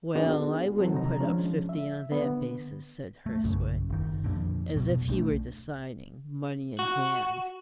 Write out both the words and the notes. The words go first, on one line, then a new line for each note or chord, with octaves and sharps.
"Well, I wouldn't put up fifty on that basis," said Hurstwood, as if he were deciding, money in hand.
B3 D4 D#4 F#4 G#4
F#3 C4 A4
C3 D#3 D#4 A#5
F3 G#3 C#4 D4
E5
D3 B3
A3
A#1 F#2 C#3
F#1 D#3
F2 A#2 D3
F1 B2 F#3
B1 A3 D4
F#4